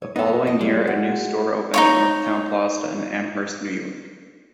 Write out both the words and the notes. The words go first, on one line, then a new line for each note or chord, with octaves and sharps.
The following year a new store opened at Northtown Plaza in Amherst, New York.
C#5
B3 D#4 A4
D#5
G3 G#3
F#4
D#4 F4 C#5